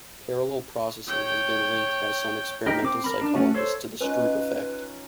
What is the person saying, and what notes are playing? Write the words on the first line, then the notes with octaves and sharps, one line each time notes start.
Parallel processing has been linked, by some experimental psychologists, to the Stroop effect.
C#5 G5
D#4 G4 A#4
C4 D6
A#4 B5
D4
A3 C#4 F#4
A4 C5 C#5
C#4 D#4 F4 B4